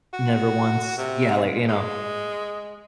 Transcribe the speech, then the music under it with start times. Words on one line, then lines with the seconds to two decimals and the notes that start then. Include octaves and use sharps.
Never once Yeah, like, you know,
0.13 F#4
0.98 C3
1.68 G#3